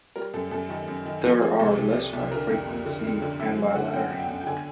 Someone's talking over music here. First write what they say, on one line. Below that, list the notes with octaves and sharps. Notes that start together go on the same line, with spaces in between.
There are list by frequency and by letter.
G3 A#4
F#2 A4
F#2 A4
D#3
F#2
D#3
F3 A4
F3 G#4
C2 A4
C3
C3
C2
D3 A#4
F2
F2
D3
F2
D3
F#2 E5
F#3
D3 F#5
F#2 G5
F#2
G5
F#2
G5
D3 G#5